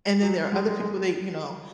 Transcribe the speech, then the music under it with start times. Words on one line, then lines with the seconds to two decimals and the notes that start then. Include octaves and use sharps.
and then there are other people they you know,
0.23 F#3
0.52 G#3
0.67 G#3
0.80 G#3